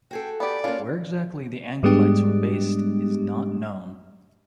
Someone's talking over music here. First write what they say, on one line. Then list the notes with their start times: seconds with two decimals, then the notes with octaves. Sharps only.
Where exactly the Ancalites were based is not known.
0.11 F#4 G#4 A4 G5
0.40 B3 G4 D5
0.64 A#3 C#4 D4 F4
1.83 G#2 G3 G#3 B3 D4 G4